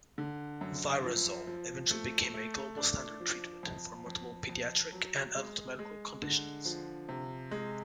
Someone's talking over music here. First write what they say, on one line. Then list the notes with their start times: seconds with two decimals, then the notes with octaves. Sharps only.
Virazole eventually became a global standard treatment for multiple pediatric and adult medical conditions.
0.18 D3
0.61 F#2
1.04 F3
1.47 F3
1.90 A3
2.34 A3
2.77 D4
3.20 F3
3.63 F2
4.06 F2
4.49 F2
4.92 F#3
5.36 G#3
5.79 G#3
6.22 D3
6.65 F3
7.09 C3
7.51 G#3